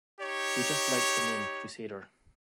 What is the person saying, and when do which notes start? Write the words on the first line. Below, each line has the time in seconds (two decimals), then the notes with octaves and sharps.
We just liked the name "Crusader".
0.21 D#4 G4 C#5